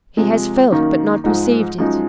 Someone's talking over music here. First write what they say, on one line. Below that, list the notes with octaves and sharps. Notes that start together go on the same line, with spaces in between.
He has felt but not perceived it.
C3 F3 G#3
F#2 D#3 A#3 D#4
G#2 F3 G#3 D#4
F#2 F3 G#3 D#4